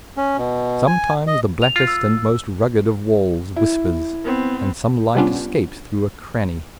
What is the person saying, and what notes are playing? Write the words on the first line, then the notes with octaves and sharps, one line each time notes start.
Sometimes the blackest and most rugged of walls whispers, and some light escapes through a cranny.
C#4
B2
G#5
D#5
F7
F4
E6
E4
B3 C4
C3 G3 B3 C#4 D4 F4